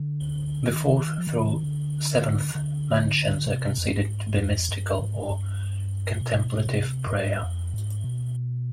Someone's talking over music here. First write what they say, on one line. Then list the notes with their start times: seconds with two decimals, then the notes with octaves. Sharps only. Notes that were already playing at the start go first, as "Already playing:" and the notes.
The fourth through seventh mansions are considered to be mystical or contemplative prayer.
Already playing: D3
0.72 D#3
1.18 F3
1.27 D#3
1.37 D3
1.46 D#3
1.63 D3
2.55 D3
3.46 C3
3.78 F2
3.85 G2
3.92 G#2
4.38 F2
4.69 G2
4.99 G#2
5.30 G2
6.21 B2
6.67 C3
7.07 G2
7.13 G#2
7.43 F2
7.74 G#2
8.04 B2